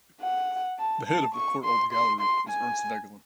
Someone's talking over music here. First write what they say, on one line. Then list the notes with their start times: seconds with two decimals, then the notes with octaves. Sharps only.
The Head of the Courtauld Gallery is Ernst Vegelin.
0.22 F#5
0.79 A5
1.07 A5
1.35 C#6
1.64 C6
1.93 C6
2.20 C6
2.49 G#5